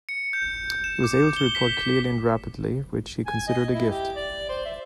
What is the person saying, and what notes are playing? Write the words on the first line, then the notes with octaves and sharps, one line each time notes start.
He was able to report clearly and rapidly, which he considered a gift.
C#7
G6
E7
D6
G7
B6
G#5
D#5
E4
G4
D5
C5
E5